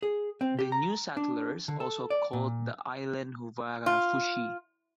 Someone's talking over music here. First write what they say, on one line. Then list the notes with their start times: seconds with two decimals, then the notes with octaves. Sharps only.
The new settlers also called the island 'Huvarafushi'.
0.03 G#4
0.41 C4
0.59 G4
0.72 A#5
1.17 D4
1.68 D3
1.80 A4
2.10 D5
2.33 A#2
3.86 F4